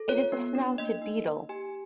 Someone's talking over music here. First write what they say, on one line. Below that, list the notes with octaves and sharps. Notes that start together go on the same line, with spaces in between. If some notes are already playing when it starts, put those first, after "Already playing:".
It is a snouted beetle.
Already playing: A4
F4 C#5
B3
D4
A#3 D#5
D#4
A#3
G4 G#5